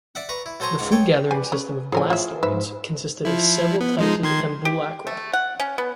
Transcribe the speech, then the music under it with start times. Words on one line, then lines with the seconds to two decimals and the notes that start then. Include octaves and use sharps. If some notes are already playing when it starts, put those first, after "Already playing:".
The food gathering system of blastoids consisted of several types of ambulacra.
0.15 D5 E5 F#5
0.29 B4 A#5 C#6
0.46 E4
0.60 F#3 A4 C5 G#5 A#5 C#6
0.79 C#2 G#2 F#5
0.92 G#4 A4 C#5 G5
1.31 G4 B4 D5 G#5
1.52 C#4 G#4
1.92 A2 F3 G#4 A#4 G#5
2.10 F4 G#4 E5
2.43 G#2 B4 E5
3.25 F3 E4
3.81 B3
3.99 F3 G#3 D#4
4.23 D#3 C6 G#6
4.65 G4
5.07 A3
5.33 F#5
5.60 C#4
5.78 B3